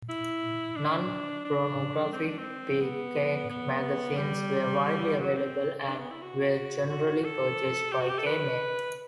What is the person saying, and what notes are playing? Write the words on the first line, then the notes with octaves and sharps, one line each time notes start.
Non-pornographic "beefcake magazines" were widely available, and were generally purchased by gay men.
E4
D4
D4
C4
D4
C4
B3
B3
G3
F#3
C4
D4
B3
E4
F#4
F#4
F#4
A4
G4
F#4
G4
A4
B4